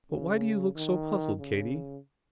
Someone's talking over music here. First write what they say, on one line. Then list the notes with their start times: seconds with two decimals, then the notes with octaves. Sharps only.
But why do you look so puzzled, Katy?
0.11 C#3
0.76 D#3
1.40 C#3